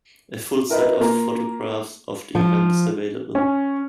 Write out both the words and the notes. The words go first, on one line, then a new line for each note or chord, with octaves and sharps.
A full set of photographs of the event is available.
E4 A#4 B4 D#5
A#3 F4 A#5
F3
C#4